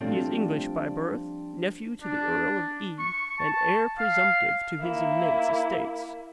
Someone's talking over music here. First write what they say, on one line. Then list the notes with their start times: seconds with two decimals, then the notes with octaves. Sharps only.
He is English by birth, nephew to the Earl of E., and heir presumptive to his immense estates.
0.01 F3 G3 A3 C4 D4
2.02 D4
2.99 C#6
3.39 A5
3.98 F5
4.80 A#3 E4